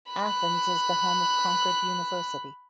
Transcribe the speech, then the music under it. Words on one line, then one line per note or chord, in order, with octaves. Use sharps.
Athens is the home of Concord University.
B5 F#6